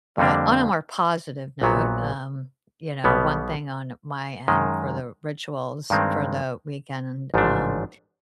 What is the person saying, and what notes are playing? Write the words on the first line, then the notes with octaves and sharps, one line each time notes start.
but on a more positive note, um, you know, one thing on my end for the rituals for the weekend, um,
F2 D3 G3 A#3 D4
A#1 A#2 F#3 B3
B1 B2 G3 B3
F#2 D#3 G#3
G2 D#3 G#3 C4
A1 G#2 F3 A3 D4